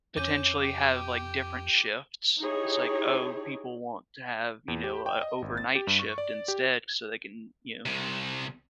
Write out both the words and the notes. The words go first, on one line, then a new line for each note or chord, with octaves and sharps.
potentially have, like, different shifts. It's like, oh, people want to have, you know, a overnight shift instead so they can, you know,
F2 C#4 D6 G6 D#7
G4
D#4 E4 G4 G#4 C#5
E2
G4
G5
D#5
G#1
A6
G4
G2
C#6
D5
G4
C2 C3